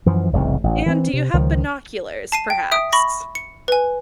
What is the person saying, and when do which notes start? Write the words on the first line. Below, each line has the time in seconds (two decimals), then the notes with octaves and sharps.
And do you have binoculars perhaps?
0.06 F#2 E3 F3
0.33 F1 C2 A2 C#3
0.64 A1
0.86 E3 B3 C4
1.13 C3
1.33 C#2 D#3 F3
2.32 A5 C7 D#7
2.50 G5
2.72 E5 D#6 D7
2.93 B5 C#6 A#6
3.35 C#7
3.68 B4 G#5